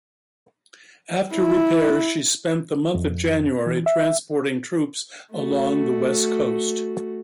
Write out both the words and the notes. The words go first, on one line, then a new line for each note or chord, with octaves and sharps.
After repairs, she spent the month of January transporting troops along the west coast.
E4
F2
E3
E5
A3 F#4